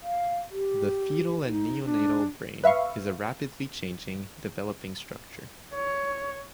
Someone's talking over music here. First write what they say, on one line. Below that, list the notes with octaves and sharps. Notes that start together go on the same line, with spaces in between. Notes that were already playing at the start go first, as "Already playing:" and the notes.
The fetal and neonatal brain is a rapidly changing, developing structure.
F5
G4
D#4
D4
B4 E5 F5 C#6
C#5